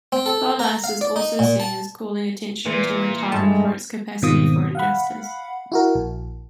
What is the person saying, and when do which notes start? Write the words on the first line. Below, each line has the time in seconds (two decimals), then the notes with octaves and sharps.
Polus is also seen as calling attention to rhetoric for its capacity for injustice.
0.12 C4
0.26 A4
0.59 A#5
0.84 F5
1.01 D5
1.16 D#4
1.39 A#2
1.60 A5
2.66 A#2 E3
3.32 G2 G#3 A3 A5
4.22 G#2 B2 D#3 C4 F4 D#6
4.75 F5 F#5 B5
5.72 E4 F#4 A#4
5.95 A#1